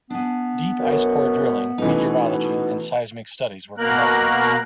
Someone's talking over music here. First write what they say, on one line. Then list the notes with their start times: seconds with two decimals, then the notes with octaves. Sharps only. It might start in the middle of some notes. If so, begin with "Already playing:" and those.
Deep ice core drilling, meteorology and seismic studies were conducted.
0.10 B3 D4 G#5
0.79 F#2 B2
1.78 B2 E3 A3 C#4 D#4
3.78 B2 A#3 A#4 F#6